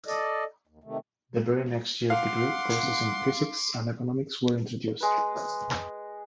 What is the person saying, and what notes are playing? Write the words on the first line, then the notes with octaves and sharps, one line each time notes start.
The very next year degree courses in Physics and Economics were introduced.
A4 D5 D#5
D#2
C3 D#3 A3
F5 F#5 C6 D6
G#3 B4